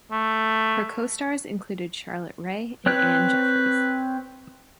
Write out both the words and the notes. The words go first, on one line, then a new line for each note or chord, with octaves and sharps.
Her co-stars included Charlotte Rae and Anne Jeffreys.
A3
C4 B4 C#5 F#6